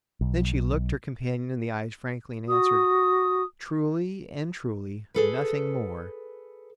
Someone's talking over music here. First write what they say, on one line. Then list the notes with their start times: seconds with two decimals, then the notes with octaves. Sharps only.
Then she looked her companion in the eyes frankly and answered: "Truly and truly, nothing more."
0.21 B1
2.48 F#4 D#6
5.14 G#4 A4 B4